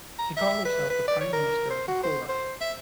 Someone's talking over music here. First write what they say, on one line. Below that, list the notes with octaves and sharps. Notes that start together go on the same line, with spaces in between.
She called herself 'The Prime Minister of the Poor'.
A#5
E5
B4
B4
D5
C#5
A#4
C5
F#4
C5
C5
E5